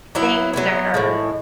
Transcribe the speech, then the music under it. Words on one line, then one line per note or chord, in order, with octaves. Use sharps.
things or or,
F#3 B3 E4
F#3 B3 E4
A2 E3 G#3